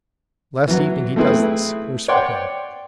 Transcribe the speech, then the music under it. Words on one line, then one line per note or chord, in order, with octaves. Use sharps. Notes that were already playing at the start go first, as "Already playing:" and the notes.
Last evening he does this. Worse for him!
E3 F#3
A3 C4 E4 G#4 B4
C#5 D5 F#5 G5 C6 D6